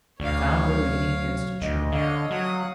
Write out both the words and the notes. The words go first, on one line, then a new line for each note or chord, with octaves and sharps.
He found her leaning against a tree.
D2 C#5 D5 F5
F#3
D2 D#5
D3 C#5 D#5 F5
F#3 F#5 D#6